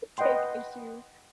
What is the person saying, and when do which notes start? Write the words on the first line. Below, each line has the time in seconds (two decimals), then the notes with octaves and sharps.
take issue
0.18 B4 D#5 F#5 G5 C6